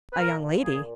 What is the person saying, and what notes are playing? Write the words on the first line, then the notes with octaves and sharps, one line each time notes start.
"A young lady?"
B4
A#2 A#4
G#4